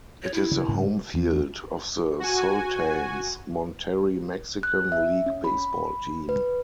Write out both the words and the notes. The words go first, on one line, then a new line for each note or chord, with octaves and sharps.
It is the home field of the Sultanes Monterrey Mexican League baseball team.
C#5
E4
C#3
G#2 C#3
E2
F#4 G#5
F#6
E5
C#4
B5
B4